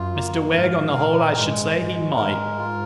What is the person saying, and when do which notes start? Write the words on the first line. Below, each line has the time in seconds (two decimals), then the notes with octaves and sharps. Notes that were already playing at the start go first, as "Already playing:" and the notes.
'Mr Wegg, on the whole I should say he might.'
Already playing: F#2 F4
0.15 A#3
0.55 G#2 F5
0.95 A#2 A#4
1.36 G#2 G#3
1.77 G#2 G#3
2.16 G#2 A#4
2.58 F4